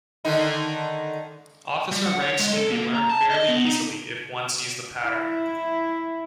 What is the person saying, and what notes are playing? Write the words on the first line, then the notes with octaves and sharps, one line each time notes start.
Officer ranks can be learned fairly easily if one sees the pattern.
D3 D#3 D#4
G3
F#5
C#5
G#3
A4
A#3
A#5
A5
D#5
B3
D#4
E4